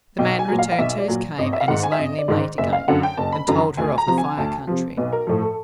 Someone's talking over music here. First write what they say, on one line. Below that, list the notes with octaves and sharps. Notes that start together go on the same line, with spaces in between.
The man returned to his cave and his lonely mate again and told her of the Fire Country.
B1 G5
G#5
A#2 F#3
F5
F5
B1 E5
D5
A#2 F#3
G#1 D#5
E5
F5
G#2 D#3 F#5
G#5
E5
G#1 D#5
D5
G#2 D#3
F#1 E5
F5
F#2 D3 F#5
G5
F#1 A5
B5
F#2 D3 A#5
D2 G#5
A#5
C3 F3
G#5
D2 A5
C3 F3
B1 B4
A#4
A2 F3 A4
A4